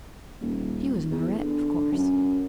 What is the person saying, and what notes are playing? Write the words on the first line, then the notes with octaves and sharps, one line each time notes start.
She was an Aurette, of course.
D#1
E2
D3
F#2